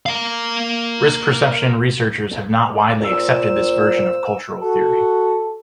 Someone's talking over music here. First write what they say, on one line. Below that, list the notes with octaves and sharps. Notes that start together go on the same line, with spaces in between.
Risk perception researchers have not widely accepted this version of cultural theory.
A#4 F5
A#2 C5 E6
F#4 A4